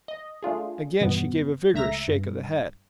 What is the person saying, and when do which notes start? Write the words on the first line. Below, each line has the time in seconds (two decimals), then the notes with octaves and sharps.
Again she gave a vigorous shake of the head.
0.08 D#5
0.43 A3 D4 F4 G#4
1.01 E2 G2 B2 B3
1.74 C#2 A3 E5 A#5 A#6
2.08 G2